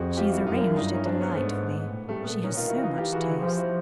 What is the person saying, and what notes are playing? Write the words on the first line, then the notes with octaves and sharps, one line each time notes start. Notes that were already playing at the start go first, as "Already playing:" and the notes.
She has arranged it delightfully; she has so much taste.
Already playing: F2 F#4 G#4
F4 G4
E4 F#4
F#2 D#4 F4
D4 E4
G2 D#4
E4
C#4 D#4
C4 D4
B3 C#4
C4
G#2 A3 B3
A2
G3 A3
A#2 A3 B3
C#4 D#4
D#3 F4
E4 F#4
E3 D#4 F4
F4 G4
E3 F#4 G#4
G#4
F3 F4 G4
E4 F#4